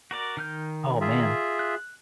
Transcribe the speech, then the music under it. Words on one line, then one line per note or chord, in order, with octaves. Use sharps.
Oh, man.
F#4 A#4 D5
D#3 F6 G6
F4 G#4 E5
F#6